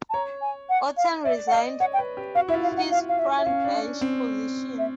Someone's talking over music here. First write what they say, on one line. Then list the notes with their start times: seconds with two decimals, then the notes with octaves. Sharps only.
Oaten resigned his frontbench position.
0.10 A5
0.14 C#5 A#5
0.41 G#5
0.69 F#5
0.97 F5
1.24 D5 E5
1.47 F#5
1.52 D#5 F5
1.80 C#5 F#5
1.93 G5
1.99 B4
2.17 G4
2.35 F#4 F5
2.49 E4 E5
2.54 F4
2.63 F5
2.72 E4 F#5
2.91 F5
3.09 F5
3.19 E5
3.38 E5
3.46 C#4 F5
3.65 D4
4.01 C4
4.78 E5